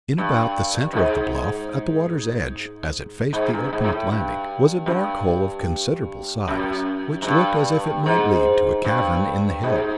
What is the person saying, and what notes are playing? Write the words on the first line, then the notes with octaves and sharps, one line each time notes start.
In about the center of the bluff, at the water's edge, as it faced the open Atlantic, was a dark hole of considerable size, which looked as if it might lead to a cavern in the hill.
G2
G2
G#2
G#2
G2
G#2
A#2
A2
G2
F#2
G2
F#2
G#2
G2
G#2
G2
G#2